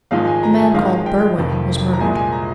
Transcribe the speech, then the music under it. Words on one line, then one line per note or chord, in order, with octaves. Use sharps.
"The man called Berwin was murdered."
G#1 G#2 F3 G#3 F5
G#5
A#5
G#5
G#1 G#2 F3 G#3 F5
G5
F1 F2 D#3
A#5
C2 A#2 G#3 G#5
G#5
A#5